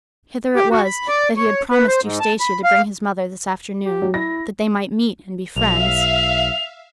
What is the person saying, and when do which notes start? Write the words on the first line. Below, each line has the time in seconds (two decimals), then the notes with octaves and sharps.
Hither it was that he had promised Eustacia to bring his mother this afternoon, that they might meet and be friends.
0.56 G4
0.71 F#4
0.85 B5
1.08 D5
1.37 C#5
1.71 B4
1.88 C5
2.03 G#2
2.20 A5
2.40 B5
2.64 F5
3.85 G4
4.02 F#3
4.14 E4 A#6
5.56 B1 E5 F5 F7